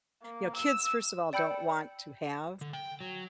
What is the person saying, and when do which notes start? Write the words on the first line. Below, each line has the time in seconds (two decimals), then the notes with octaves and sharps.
You know, kids, first of all, don't want to have
0.23 A#3
0.56 E6
1.33 D5 G5 B5 E6 G6 C#7
2.61 D3
2.73 G5
3.01 F#3